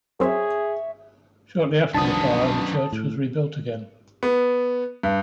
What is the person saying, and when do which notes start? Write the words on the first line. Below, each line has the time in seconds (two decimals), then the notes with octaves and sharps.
Shortly after the fire, the church was rebuilt again.
0.20 F#2 C4 G#4 C#5 E5
1.94 C2 F#2 D#3 F3 B3 D4 A5 D#6
2.92 A2
4.23 B3
5.03 G2